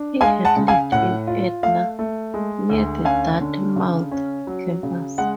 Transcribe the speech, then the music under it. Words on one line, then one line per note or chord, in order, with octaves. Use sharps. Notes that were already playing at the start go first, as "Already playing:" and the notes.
He had lived in Etna, near the Dartmouth Campus.
Already playing: D4
G#3 F5 G#5
F#5 A5
C#3
F5 G#5
A2 F#5
F4
A3 F5
A3
G#3
D2
C#4 F5 G#5
D3
C#3
C#4
F#3
C#3
G#3 F#5